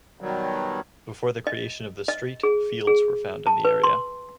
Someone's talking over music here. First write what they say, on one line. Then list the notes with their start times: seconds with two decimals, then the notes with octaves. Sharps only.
Before the creation of the street fields were found in the area.
0.21 B2 D#3 F#3 G3
1.47 D#5
2.08 D#5
2.43 G#4
2.87 G#4
3.47 A5
3.65 B4
3.84 C6